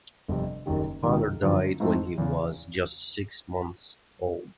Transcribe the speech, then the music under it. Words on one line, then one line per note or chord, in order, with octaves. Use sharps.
His father died when he was just six months old.
G1 F2 C3
F#1 F#2 D#3 G3
C#2 C3 D#3
F#2 D3 F3
G#2 F3 A3 C4 E4
E2 C#3 E3